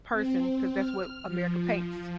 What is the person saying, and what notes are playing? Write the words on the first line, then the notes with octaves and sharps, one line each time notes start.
person 'cause that's what America paints
C4
F6
F3